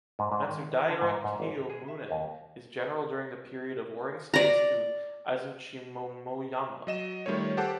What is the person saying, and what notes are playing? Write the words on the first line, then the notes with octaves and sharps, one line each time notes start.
Matsudaira Kiyomune is General during the period of Warring States to Azuchimomoyama.
G#2
G#2
D#3
E3
D3
G#2
G#2
G#1
A#5
G#4
E5
D#2
D5 A#5
F#3 D#5 E7
D#3 G3 A3 F4 C#5
G4 A4 C5 F#5 A5 D6